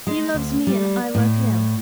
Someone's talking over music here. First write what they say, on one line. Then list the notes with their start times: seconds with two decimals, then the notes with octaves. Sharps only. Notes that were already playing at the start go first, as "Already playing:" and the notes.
He loves me and I love him.
0.07 G#3
0.34 D2
0.67 G3
1.15 A2